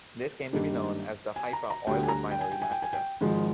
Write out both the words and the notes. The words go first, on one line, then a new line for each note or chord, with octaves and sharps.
This came to be known as the "Haifa Oil Refinery massacre".
G2 D#3 G3 A#3 D4
G#5
A#5
A#5
D2 D3 G3 G5
G#5
A#5
G5
G#5
G5
G#5
G5
G#5
G5
G#1 G#2 F3 G#3